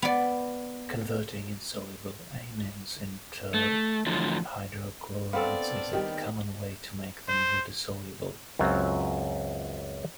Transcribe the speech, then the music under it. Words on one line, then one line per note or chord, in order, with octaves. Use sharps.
Converting insoluble amines into hydrochlorides is a common way to make them water-soluble.
B3 D5
A3
E2 A2 D3 F3 F#3
B3 C4 D4 A4 D5 F5
D#3 G3 G4
C5
C#2 F#2 F#3 C4 F4 F5